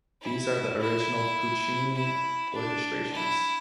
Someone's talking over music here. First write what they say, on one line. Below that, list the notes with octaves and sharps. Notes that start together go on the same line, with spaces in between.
These are the original Puccini orchestrations.
E4
E4
E4
D4
E4